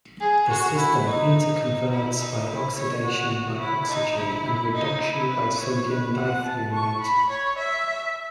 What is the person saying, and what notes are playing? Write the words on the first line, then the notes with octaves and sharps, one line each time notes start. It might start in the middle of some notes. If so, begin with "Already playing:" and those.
The system interconverts by oxidation by oxygen and reduction by sodium dithionite.
G#4
F#4
E4
D#4
D#4
E4
D#4
E4
C#5
F#4
E4
D#4
E4
D#4
E4
B4
C#5
B4
F#5
A5
C#6
B5
C#5
E5